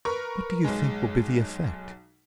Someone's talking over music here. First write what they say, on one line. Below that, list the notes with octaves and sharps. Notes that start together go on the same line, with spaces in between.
"What do you think will be the effect?"
A#4 B4 C#6
B1 G#3